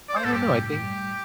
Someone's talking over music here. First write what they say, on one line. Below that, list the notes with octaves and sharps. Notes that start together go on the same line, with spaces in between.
I don't know. I think
D5
C5
A2 A4
G2 G4
C3
A2
G4
G3